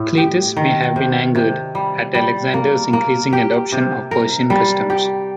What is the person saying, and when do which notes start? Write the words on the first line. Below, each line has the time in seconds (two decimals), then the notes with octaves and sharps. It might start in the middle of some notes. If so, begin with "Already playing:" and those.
Cleitus may have been angered at Alexander's increasing adoption of Persian customs.
Already playing: A2
0.17 G4
0.57 D#3
0.96 C3
1.35 C3
1.75 G3
2.15 G3
2.54 A#3
2.93 A#3
3.33 G4
3.72 C3
4.11 A#4
4.50 G3
4.90 G4